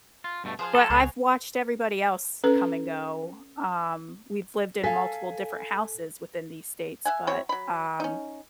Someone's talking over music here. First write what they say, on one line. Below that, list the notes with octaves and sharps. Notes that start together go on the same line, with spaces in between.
but I've watched everybody else come and go. Um, we've lived in multiple different houses within these states but, um
F4
G2 B2 A3
F3 G#4 C5 F5
A4
C#2 G#4 C#5 F#5
C#4 A4 B4
A4 F5 G#5 B6
E5 F#5 G#5
F#3 C4 E4 C#5
F#3 B5
C#4 D#4